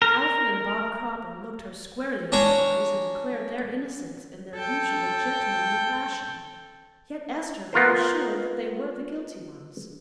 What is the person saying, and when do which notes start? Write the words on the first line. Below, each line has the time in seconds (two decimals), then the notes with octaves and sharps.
Alfred and Bob Cropper looked her squarely in the eyes and declared their innocence in their usual gentlemanly fashion, yet Esther felt sure that they were the guilty ones.
0.02 A#4
2.32 C#4 D4 C#5 A#5
4.54 A4 G5
7.73 B3 F4 A#4 C5